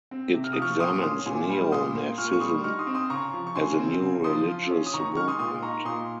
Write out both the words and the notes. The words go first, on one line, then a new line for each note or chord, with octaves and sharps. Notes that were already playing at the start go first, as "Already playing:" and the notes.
It examines neo-Nazism as a new religious movement.
C4
C3
F6
F3 D#6
C#6 F6
A#2 C6 D#6
C#4 C6 D#6
A#2 G#5 C6
G3
A#2 C6 D#6
A#3
A#2 C#6 F6
C#6
G3 C6 D#6
D#4 C#6 F6
C6 D#6
C4
C6 D#6
C#3 A#5 C#6
F3
C#6
C#3 G#5 C6
C4
C#3
F3 C6 D#6
F4
C#4
D#6
D#3 A#5 C#6
G#3 C#6 F6
C6 D#6
A#2 C6 D#6
D#4 A#5 C#6
A#2 C6 D#6